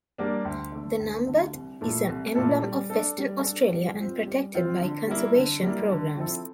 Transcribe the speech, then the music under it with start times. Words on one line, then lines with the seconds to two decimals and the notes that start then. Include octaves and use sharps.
The numbat is an emblem of Western Australia and protected by conservation programs.
0.18 G3 A#3 D4
0.45 D2
0.72 D3 A3
1.00 D2
1.27 D3 A3
1.54 C2
1.81 A#2 A3 E4 A4
2.09 C2
2.35 A#2 A3 E4 A4
2.62 G3
2.90 D4 A4
3.18 G3
3.44 D4 A4
3.72 G3
3.99 C4 F4 C5
4.26 G3
4.54 C4 F4 C5
4.80 D3
5.07 G3 A#3 E4
5.35 D3
5.63 G3 A#3 E4
5.90 D3
6.17 F3 C4 E4 A4